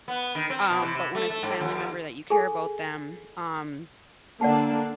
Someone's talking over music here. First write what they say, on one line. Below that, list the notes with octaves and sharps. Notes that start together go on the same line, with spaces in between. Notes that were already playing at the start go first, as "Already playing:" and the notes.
Um, but when it's a family member that you care about them, um
B3
D#3
C4
B2
C3
C3
A3
A3
G#2
D#2
G#4 A4 G#5
D3 A#3 D4 D5 F#5 A5